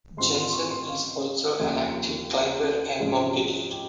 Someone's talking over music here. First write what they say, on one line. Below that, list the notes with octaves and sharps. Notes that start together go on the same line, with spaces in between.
Jenssen is also an active climber and mountaineer.
G#2 G3 C4 F4 C6
C6
C#6
C6
F5
F1 D#2 C#3 F3 A#3
G#2 F3 G#3 C#4
G4